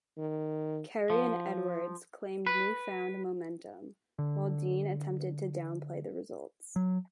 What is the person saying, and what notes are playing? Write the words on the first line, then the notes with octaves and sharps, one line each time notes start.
Kerry and Edwards claimed newfound momentum, while Dean attempted to down-play the results.
D#3
F3
B4
D3
F#3